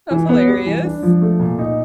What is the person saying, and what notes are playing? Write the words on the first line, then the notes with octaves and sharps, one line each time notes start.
That's hilarious.
E3
B3
G3
E3
D4
F3
A3
A#2
D#4